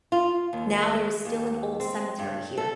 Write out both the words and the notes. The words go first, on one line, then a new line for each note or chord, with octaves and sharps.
Now there is still an old cemetery here.
F4
D#2
D#2
C4
G2
A4